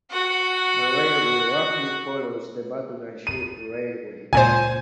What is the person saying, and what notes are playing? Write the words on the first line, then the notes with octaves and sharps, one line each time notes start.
The railway roughly follows the Baotou–Lanzhou railway.
F#4 F#5
D#7
C#2 A#2 C5 G#5